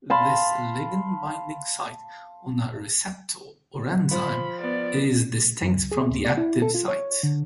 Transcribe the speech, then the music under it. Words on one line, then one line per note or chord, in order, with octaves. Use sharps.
This ligand-binding site on a receptor or enzyme is distinct from the active site.
F5 A5 B5 C6
F3 B5
B3 D5
F#2
C#2
G#4
D2
D5
E4
A4
F4
C#5
D3